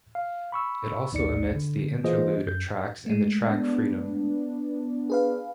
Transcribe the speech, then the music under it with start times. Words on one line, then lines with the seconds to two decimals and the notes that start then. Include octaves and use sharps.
It also omits the Interlude tracks and the track Freedom.
0.15 F5
0.52 B5 C#6 E6
1.12 A#1 D#2 D#4 D5 C#7
1.55 D3
2.04 E3 A#3 F4 G#4 C5 D#5
2.46 F#2 G6
3.06 G#3 A3
3.48 B3 D4
5.10 G#4 B4 F5